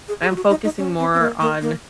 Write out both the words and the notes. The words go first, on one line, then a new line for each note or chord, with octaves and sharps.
I'm focusing more on
G#4
G#4
F4
F#4
D#4
D#4
C#4
C4
C4
A#3
A#3
A#3